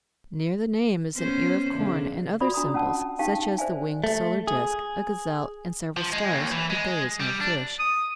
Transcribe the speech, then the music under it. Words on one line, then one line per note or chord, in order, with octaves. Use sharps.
Near the name is an ear of corn, and other symbols, such as the winged solar disc, a gazelle, and several stars, but there is no fish.
B3 C#4 C5
E2 C#3 D4
F4 F#4 D5 B5 D#6
D4 F#4 A#5 D#6
C#4 F#5 A5 E6
C#4 D#4 G4 F5 G5 A5
C5 D5 E5 G#5
A3
G#4
F3
G#3
D#2
E3
G#3
G3
D4
D#6